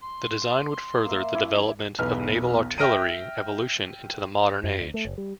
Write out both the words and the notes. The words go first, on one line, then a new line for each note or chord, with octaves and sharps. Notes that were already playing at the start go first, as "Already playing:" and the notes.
The design would further the development of naval artillery evolution into the modern age.
C6
A#3 E5
C#4 E4 D5
B1 E2 B4 F6
E5 G5 F6 A#6 D7 D#7
F#2
D2
A3
F#1
G3